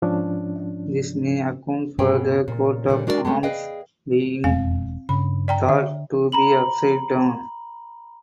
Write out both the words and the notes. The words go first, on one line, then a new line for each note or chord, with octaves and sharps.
This may account for the coat of arms being thought to be upside down.
G#2 F3 C#4 D4
G2 B2 C#4 G#4 G5
A#2
A#2 D3 G3
G#3 D4 F#4 A#4 B4 D5
G#3 A3 B3 C#4
G#4 B4 D5 D#5 F5 G5
E1 F2 C4 F5 G#5
G2 C#3 B5
D5 G5 A#5
D3 E5
A#5 B5 F#7